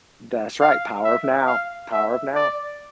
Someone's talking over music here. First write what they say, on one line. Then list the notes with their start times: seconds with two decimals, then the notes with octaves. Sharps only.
That's right, Power of Now, Power of Now.
0.61 F5
1.04 E5
1.47 F5
1.92 E5
2.35 D5